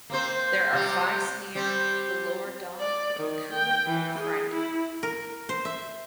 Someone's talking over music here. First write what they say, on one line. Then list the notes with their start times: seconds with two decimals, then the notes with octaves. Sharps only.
There are finds near the lower Don and in Kuban and Crimea.
0.10 A#3 C4 C5
0.73 C3 G3
1.55 G3 C4
2.80 D5
3.20 D#3
3.53 G5
3.87 E3
4.19 G#4
4.50 E4
5.03 A#4
5.49 C5
5.65 E5